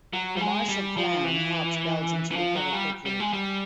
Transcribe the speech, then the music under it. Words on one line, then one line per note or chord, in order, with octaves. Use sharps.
The Marshall Plan, helped Belgium to recover quickly.
F#3
G3
G#3
G3
F3
E3
E3
F3
F#3
G3
G3
G#3
G3